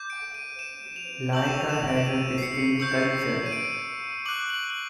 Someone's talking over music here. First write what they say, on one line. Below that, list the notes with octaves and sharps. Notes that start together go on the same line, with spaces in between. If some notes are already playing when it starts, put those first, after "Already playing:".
Lika has a distinct culture.
Already playing: D6 G6
D7
D#7
E7
F7
C#6 E6 G6 F#7
E7
F7
E7
D7
E7
D#7
C7
C#7
C#6 E6 G6 C#7
D#7
D7
D6 F#6 F#7
F#7
F#7